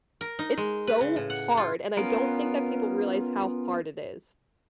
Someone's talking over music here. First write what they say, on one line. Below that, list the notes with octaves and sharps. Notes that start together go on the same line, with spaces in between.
it's so hard, and I don't think that people realize how hard it is.
A#4
D#4
G#3
B4
C#3
A2
F#5
F4
B3 C#4 F4 A#4 B4